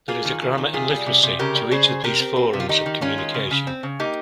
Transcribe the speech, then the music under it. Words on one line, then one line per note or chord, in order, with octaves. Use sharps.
There is a grammar and literacy to each of these forms of communication.
A#3 F4 G#4
D#3
D#3
D#3
C3 F4 G#4
G3
C3
C3
C#3 G4 A#4
G3
C#3 G#4 C5
C#3
C3 G4 A#4
C4
C4
C3
F4
D#3 D#4 G4
D#3
D#3 C#4 F4
G#3
C#3
C#3
C4
C#3
A#3 D#4 G4